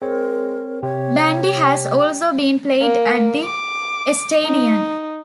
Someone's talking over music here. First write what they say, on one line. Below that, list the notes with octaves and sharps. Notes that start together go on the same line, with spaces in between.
Bandy has also been played at the Eisstadion.
G#3 C4 A#4 C#5
C3 G4 C#5
A#3
D6
D#4